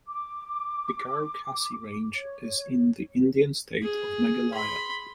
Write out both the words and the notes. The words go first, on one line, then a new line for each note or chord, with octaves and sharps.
The Garo-Khasi range is in the Indian state of Meghalaya.
D6
C#5
G#4
B5 C6